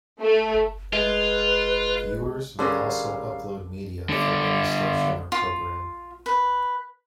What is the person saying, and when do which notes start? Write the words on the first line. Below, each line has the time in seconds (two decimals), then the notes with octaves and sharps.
Viewers may also upload media for any station or program.
0.20 A3
0.93 G#3 F4 B4
2.59 D3 G3 C#4 G#4 A#4 C5 F5
4.09 D3 G3
5.32 F4
6.26 B4